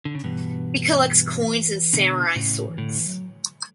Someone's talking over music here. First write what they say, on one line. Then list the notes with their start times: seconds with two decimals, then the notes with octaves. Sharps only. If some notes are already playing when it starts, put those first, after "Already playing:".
He collects coins and samurai swords.
0.05 D3
0.15 C#3
0.24 G2 B2 E3
1.93 B2 D3
2.36 A2 C#3
2.69 E3
2.78 A2 D3
2.99 E3
3.07 F#3